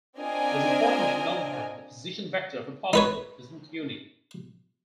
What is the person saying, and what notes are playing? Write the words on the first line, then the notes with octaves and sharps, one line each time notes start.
It is important to note that the position vector of a particle isn't unique.
C4 D4 F4 A#4 D#5 G#5
D#4 B4 C#5